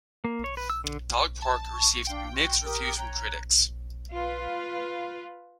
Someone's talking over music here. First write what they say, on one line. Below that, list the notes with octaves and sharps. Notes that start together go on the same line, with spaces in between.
Dog Park received mixed reviews from critics.
A#3
C#5
B4
E6
D3
A5
C#6
D4 F5 G5 C6
F#4 C6
G4 A#4 D#6
C#5 A#5 F#6
F4 B4